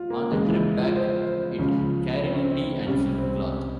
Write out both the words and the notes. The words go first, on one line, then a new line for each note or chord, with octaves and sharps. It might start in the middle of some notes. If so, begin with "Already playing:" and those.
On the trip back it carried tea and silk cloth.
Already playing: F4
A#3
E2 C#3 F3 G#3
E4
F4
C5
C5
C#2 C#3 F3 C#4
C4
C#4
C4
C2 C3 G3 C#4
C4